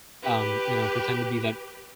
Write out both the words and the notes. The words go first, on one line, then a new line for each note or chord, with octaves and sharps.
um, you know pretend to be that uh
G4 B4